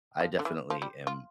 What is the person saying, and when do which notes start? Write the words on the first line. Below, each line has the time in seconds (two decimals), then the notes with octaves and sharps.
I definitely am,
0.20 F3
0.39 D3
0.45 E3
0.70 F3
0.82 G3
1.07 F4